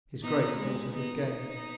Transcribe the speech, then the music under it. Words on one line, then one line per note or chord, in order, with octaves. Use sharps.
His Grace thought of his game.
B3 D#4
G#3 B3
B3 D#4
B3 D#4